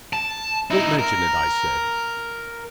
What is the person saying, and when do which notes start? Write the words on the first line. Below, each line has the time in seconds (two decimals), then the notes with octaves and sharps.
"Don't mention it," I said.
0.13 A5
0.70 D#4 E4
0.99 A#4